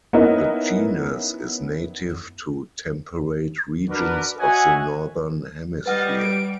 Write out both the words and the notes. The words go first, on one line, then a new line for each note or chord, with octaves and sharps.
The genus is native to temperate regions of the Northern Hemisphere.
B3 C#4 D#4 E4 A#4 D#5
D4 F#4 A#4 B4
F#4 C#5 D#5 E5 F#5 G#5
G3 B4 D#5 F#5 F6 A6
D7